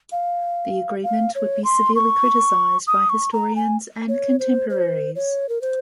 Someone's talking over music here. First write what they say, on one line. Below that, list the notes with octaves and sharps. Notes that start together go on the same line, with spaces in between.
The agreement would be severely criticized by historians and contemporaries.
F5
F5
C#5
C6
C#6
D#6
C#6
A#5
G#5
C#5
C5
C5
C#5
A#4
C5